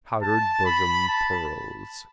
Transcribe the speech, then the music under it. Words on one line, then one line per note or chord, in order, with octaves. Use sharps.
Powdered bosom pearls.
A5
B5
A5